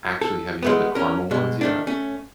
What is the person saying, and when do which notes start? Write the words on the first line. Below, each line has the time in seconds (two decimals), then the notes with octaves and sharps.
Actually, have you had the caramel ones yet?
0.21 A4
0.62 G#3 A3 B3
0.95 C#4 A#4
1.31 B2 G#3
1.61 D#3 A3 D4
1.87 A3 C#4